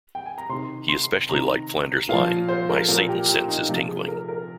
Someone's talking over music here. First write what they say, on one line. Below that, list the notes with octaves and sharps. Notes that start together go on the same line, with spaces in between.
He especially liked Flanders' line My Satan sense is tingling.
G5
G#5
A#5
C3 D#3 C6
C6
C3 D#3 A#5
A#2 F3 F5
C5
A#4
A#2 F3 A#4
G4
G4
D#4
C3 F3 F4
G#4
A#4
A#4